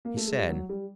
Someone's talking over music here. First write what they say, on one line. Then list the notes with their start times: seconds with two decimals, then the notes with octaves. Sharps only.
He said...
0.05 A#3
0.17 A3
0.27 G#3
0.39 G3
0.49 F#3
0.69 G3